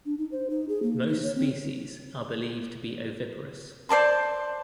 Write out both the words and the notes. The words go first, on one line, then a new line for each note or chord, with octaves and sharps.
Most species are believed to be oviparous.
D4
D#4
C5
D#4
G#4
A#3
D#4
C#5
C4
C5 D5 A5 C6